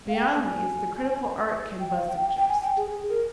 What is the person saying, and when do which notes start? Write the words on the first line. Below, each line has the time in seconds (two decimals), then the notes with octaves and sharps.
Beyond these the critical art can but suggest.
0.09 F5
0.15 G5
0.42 G#5
1.80 G5
1.94 F5
2.08 G5
2.22 G5
2.36 G5
2.49 G#5
2.62 G5
2.77 G#4
2.90 G#4
3.09 A#4